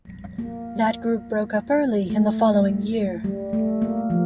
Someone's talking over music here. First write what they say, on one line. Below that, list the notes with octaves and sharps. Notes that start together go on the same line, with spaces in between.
That group broke up early in the following year.
A#3
A3
G3
A3
A#3
F3